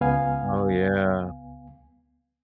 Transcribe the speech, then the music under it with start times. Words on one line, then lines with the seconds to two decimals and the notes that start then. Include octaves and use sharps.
Oh, yeah.
0.01 C#2 B3 F5 G#5